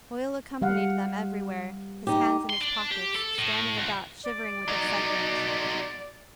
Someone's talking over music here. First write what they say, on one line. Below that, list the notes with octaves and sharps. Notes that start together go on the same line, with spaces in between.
Hoyle accompanied them everywhere, his hands in his pockets, standing about, shivering with excitement.
G3 F5 F#5
D#4 G4
C6
D4
G4
A4
A2
C#2
D5
F#3 D#4